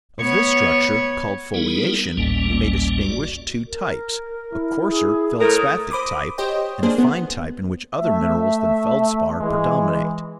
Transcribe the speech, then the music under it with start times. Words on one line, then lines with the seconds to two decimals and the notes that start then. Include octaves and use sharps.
Of this structure, called FOLIATION, we may distinguish two types,--a coarser feldspathic type, and a fine type in which other minerals than feldspar predominate.
0.21 B3 C#5
1.54 G3 B3 D#4 E4 G#4 A#4
2.17 G#1 D2 A2 G3 A#3 C#4
3.01 F#4 D5
3.67 A#4
4.53 E4
4.90 G#4
5.39 A2 A#4 D#6
5.91 C5 B5 D6 D#6
6.38 G4 C5 C#5 D#5 G5
6.83 A#3 D4 G#4 C5
6.98 B3
8.00 A3 E5
9.40 E3 G#3